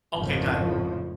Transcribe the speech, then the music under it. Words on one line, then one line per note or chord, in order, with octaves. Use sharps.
Okay, got it.
G#1 F2 A2 C#3 F3